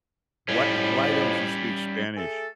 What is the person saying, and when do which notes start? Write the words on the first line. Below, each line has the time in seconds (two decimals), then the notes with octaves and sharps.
Why why don't you speak Spanish?
0.49 F2 A2 G3 C#4
2.17 A3 G#4 A4